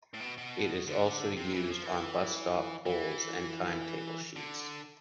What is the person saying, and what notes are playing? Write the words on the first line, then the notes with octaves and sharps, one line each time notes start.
It is also used on bus stop poles and timetable sheets.
A2
B2
B2
D3
C3
E3
F3
E3
E3
D3